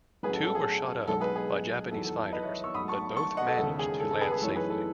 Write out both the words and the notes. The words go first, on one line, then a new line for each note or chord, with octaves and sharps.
Two were shot up by Japanese fighters, but both managed to land safely.
A1 A2 F#3 C#4 G#4 B4
A4
A4
G#4
B1 B2 G#3 A4
G#4 B4
G#4
E2 D#3 F#3 A4
A4
B4 D#5
C#5 E5
C#6 E6
G#2 F#3 A3 B5 D#6
A5 C#6
A5 C#6
D#5 F#5
A4
E1 D#2 C#3 A4
G#4
A4
A4
G#4 B4
G#4 B4
F#2 E3 A3 D#4 A4 C#5
G#4 B4
A4